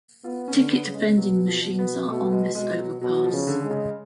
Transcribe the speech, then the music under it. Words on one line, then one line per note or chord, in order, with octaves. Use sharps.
Ticket vending machines are on this overpass.
B3 F4
C#4
D3
B3
C#3
G#3
B2 F#3
F3
B2
B3
B2 A3
G#3
B2 G#3
F#3
B2 F#3
F#3
F3
C#3
D3
G#3
C#3